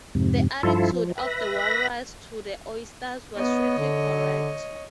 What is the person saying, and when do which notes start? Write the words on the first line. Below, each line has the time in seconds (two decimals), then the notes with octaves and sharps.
The attitude of the walrus to the oysters was strictly correct.
0.15 F2 G#2 C3
0.63 G2 F3 E4 F4 A4
0.92 F3
1.18 B4 E5 B5 A#6
3.36 B3 C#5 D#5
3.78 D3